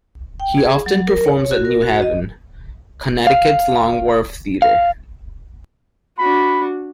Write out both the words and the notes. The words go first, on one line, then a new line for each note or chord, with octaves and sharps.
He often performs at New Haven, Connecticut's Long Wharf Theatre.
G5
G#4
F#3
A#4
C#5
F#4
A#4
F#4
D#5
F5
F5
D4 F#4 B5